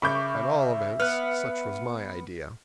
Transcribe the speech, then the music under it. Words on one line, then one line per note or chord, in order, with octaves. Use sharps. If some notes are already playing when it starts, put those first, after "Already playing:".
At all events, such was my idea.
C#3 E5 B5 C#6 D6 G6
B3 F6 F#6